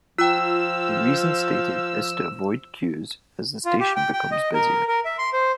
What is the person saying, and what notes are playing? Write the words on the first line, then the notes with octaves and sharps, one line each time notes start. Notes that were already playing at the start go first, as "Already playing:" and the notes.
The reason stated is to avoid queues as the station becomes busier.
F3 F4 G5 E6
F4
G4
G5
G5
D#5
A#4
A#4
E5
C6
C5